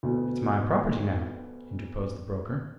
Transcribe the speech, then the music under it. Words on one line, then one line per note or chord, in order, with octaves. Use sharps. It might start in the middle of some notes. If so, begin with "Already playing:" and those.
"It's my property, now," interposed the broker.
D2 B2 B3